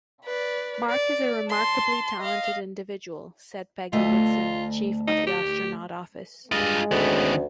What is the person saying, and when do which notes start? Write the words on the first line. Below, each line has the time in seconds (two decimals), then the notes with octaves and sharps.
"Mark is a remarkably talented individual," said Peggy Whitson, Chief of the Astronaut Office.
0.25 B4 D5
0.89 D5
1.48 A5 C6
2.21 D#5 F5
3.93 D2 A3 F4 D#5
5.07 D#4
5.27 G4
6.52 G2 G#3 F4 D#5
6.91 D2 D#3 B3 C#4 A4